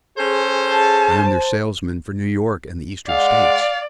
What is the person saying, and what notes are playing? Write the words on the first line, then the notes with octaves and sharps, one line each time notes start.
I am their salesman for New York and the Eastern States.
C#4 G#4 A4 C5
A5
C5
G#3 D5 F5 F#5